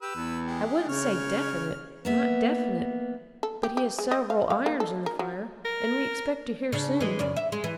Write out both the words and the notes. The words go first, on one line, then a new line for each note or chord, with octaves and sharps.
"I wouldn't say definite, not definite, but he has several irons in the fire and we expect to hear soon."
G4 B4 E6
E2
G#3 G4
C#3 C#5 F6
A#3 B3 E5
A4
G4
G4
G#3
D#5
F5
F5
A#3
A4
A#4
F#3
A#4
C#3 D4
E3 G#3
F#2 C#3 D5
E5
G#3
E3